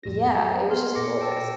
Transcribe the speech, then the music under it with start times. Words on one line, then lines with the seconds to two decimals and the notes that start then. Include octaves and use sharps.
yeah, it was just gorgeous.
0.03 F2 A2 A#6
0.32 F#3 D#5
0.71 B3 C6
0.95 A#2 D6 A#6 C#7
1.20 G5 A5 E6